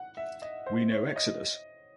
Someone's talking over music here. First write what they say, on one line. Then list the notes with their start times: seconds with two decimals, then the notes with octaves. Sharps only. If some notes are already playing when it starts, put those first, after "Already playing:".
We know Exodus.
Already playing: F#5
0.17 E5
0.42 D#5
0.66 C5
0.91 C#5
1.16 D#5